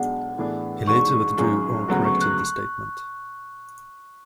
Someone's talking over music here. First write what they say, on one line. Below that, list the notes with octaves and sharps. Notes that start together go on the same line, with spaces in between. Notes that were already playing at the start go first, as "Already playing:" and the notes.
He later withdrew or corrected the statement.
Already playing: B1 B2 G#3 D4 G#4 F#5
A2 E3 B3 D4 G#4
A1 G#2 G#3 D4 F#4 C#6
G#1 G#2 F#3 C#4 G#4
D2 C#3 F#3 B3 F#4
C#6
F#6